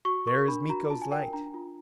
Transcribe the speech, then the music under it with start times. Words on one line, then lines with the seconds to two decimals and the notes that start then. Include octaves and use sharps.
"There is Miko's light!"
0.05 F#4 C#6
0.27 A#4 C#6
0.48 D4 B5
0.69 F#4 A#5
0.90 F4 A5
1.02 G#5
1.11 A#4 G5
1.33 D4 A#5
1.54 F4